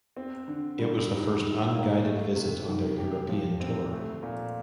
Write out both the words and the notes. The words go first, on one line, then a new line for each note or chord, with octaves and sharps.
It was the first unguided visit on their European tour.
C4
D3
G3
D#4
D#3
A#3
A3
C3
D#3
G4
F3
C4
A3
A#2